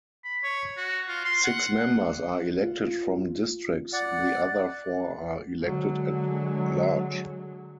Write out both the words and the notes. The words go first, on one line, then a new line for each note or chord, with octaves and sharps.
Six members are elected from districts the other four are elected at large.
B5
C#5
F#4
F4
C6
F#5
F4
D5 F#5
D3 F#3 G#3